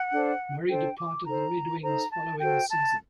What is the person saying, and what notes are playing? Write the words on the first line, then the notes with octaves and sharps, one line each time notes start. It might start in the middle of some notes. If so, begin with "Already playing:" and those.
Murray departed the Red Wings following the season.
Already playing: F#5
D4 A4 C5
D4 A4 C5 G5
D6
D#4 A4 C5 A#5
D#4 A4 C5 A#5
A5
F#4 A4 C5 G5
A5